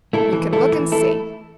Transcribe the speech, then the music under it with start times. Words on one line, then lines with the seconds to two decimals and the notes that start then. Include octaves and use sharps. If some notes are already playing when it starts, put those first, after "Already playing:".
"You can look and see."
0.13 A3 E4 A4
0.32 E3
0.53 A3 E4 A4
0.72 E3
0.92 A3 E4 A4